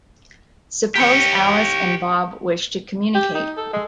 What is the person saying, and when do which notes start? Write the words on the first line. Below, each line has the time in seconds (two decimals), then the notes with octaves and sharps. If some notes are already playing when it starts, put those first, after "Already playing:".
Suppose Alice and Bob wish to communicate.
0.95 G4 C#5
3.14 G4
3.34 D#4
3.57 A4
3.73 G#3